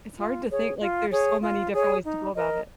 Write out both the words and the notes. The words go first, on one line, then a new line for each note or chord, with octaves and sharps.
It's hard to think, like, there's so many different ways to go about it.
F4
G#4 C#5
F4
G#4 C#5
F4
G#4 C#5
D#4
A#4 D#5